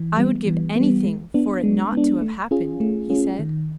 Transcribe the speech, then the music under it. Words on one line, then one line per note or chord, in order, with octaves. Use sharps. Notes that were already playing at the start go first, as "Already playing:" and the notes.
"I would give anything for it not to have happened," he said.
Already playing: E3
G3 B3
E3
G3 B3
G#3
B3 D4
G#3
B3 D4
A3
C#4 F4 G#4
A3
C#4 F4 G#4
D#3